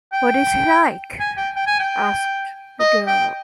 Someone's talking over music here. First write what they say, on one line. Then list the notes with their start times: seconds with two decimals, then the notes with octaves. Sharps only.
What is he like? asked the girl.
0.13 G5
1.19 G#5
1.37 G5
1.56 G5
1.67 G#5
1.79 G5
2.80 D#5
3.07 G5